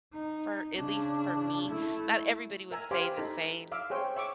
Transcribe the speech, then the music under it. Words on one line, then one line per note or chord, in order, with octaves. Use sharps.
for at least for me. Not everybody would say the same
D#4
C#3 D4
A3 E4
A#4 E5 G#5 A#5
G4 C5 F5 G#5 B5 D6
D#4 A4 B5
E5 F5 D6
G#4 C5 C#5 G5
E5 C#6 D6